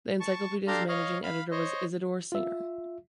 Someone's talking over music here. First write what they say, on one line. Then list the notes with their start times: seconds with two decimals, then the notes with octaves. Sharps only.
The encyclopedia's managing editor was Isidore Singer.
0.20 A5 C#6
0.67 D4 G4 A4 F5 A#5 C6
0.88 C#5 D#5 F5
1.23 F5 B5
1.51 C5 C#5 D#5
2.32 F4 E5